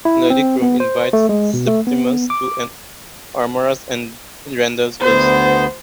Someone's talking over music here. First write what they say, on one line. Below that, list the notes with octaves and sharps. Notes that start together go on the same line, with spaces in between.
Lady Croom invites Septimus to an amorous rendezvous.
E4
C4
B3
C5
A3
G#3
B2
A3
B3
D6
D2 B3 C5